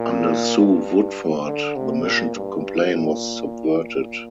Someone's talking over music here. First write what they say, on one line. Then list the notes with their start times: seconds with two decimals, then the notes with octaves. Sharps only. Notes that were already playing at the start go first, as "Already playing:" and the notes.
Under Sue Woodford the mission to complain was subverted.
Already playing: A#2
0.59 G2
1.46 D3
1.76 C3
2.05 A#2
2.35 G2
2.93 A#2
3.82 A#2